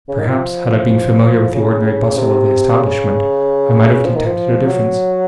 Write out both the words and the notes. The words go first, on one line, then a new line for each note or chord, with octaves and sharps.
Perhaps, had I been familiar with the ordinary bustle of the establishment, I might have detected a difference.
C#3
D#3
F3
C#3
C3
C#3
F3
D#3
F3
F#3